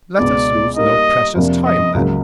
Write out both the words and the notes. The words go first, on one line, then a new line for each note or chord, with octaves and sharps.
Let us lose no precious time, then.
C#2 B2 G#3 B3 D4 D5
G3 A#3 D#4 D#5
F2 C3 F3 A#3 D4
D#5
C#2 C#3 F#3 A#3